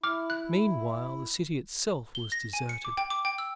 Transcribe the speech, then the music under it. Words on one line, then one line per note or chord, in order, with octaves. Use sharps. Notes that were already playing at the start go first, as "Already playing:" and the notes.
Meanwhile, the city itself was deserted.
E4 D6 F6
F#6
G7
A#6
G#5
C#7
D6
G5
D6
G5
E6